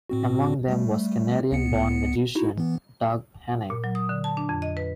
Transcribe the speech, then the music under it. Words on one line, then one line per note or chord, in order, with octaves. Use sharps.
Among them was Canadian-born magician Doug Henning.
A2 C4 F#4
G3 A3
C#2 B3 C#7
D#4 E4 F#4
E3 B3
A#2
F#3
D#6
D3
A5
D4
F2
D#5
B4